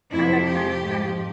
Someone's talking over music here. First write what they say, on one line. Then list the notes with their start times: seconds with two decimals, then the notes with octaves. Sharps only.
Ale kara kara.
0.12 F2 C3 F3 E4
0.46 G4
0.80 G#2 F3